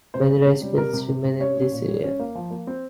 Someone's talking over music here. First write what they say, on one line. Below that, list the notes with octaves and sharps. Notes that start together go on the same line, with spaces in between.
Many rice fields remain in this area.
C3 C5
C#4
C3
G3
C3 A#4
C3
C3
C3
C#4 C#5
C#4
A#2
G3
C#4
A#3
F3
A#3
C4